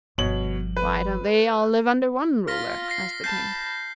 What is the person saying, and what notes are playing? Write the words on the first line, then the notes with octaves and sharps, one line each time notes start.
"Why don't they all live under one ruler?" asked the King.
G1 B2 F3 C#5 F#7
B4
F4 F6 A#6 B6
F6 A#6 C7
A5 B5 G6 A#6 C7